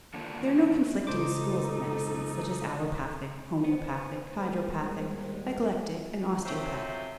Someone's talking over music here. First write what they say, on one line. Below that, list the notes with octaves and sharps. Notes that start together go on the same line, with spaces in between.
There are no conflicting schools of medicines such as Allopathic, Homeopathic, Hydropathic, Eclectic and Osteopathic.
D3 D#3 F3 A#3 D4
C#2 D#4 A4 C5 D6
B3 C5
D#2 G3 G#3
C3 F3 F#3 A3 C4 C#4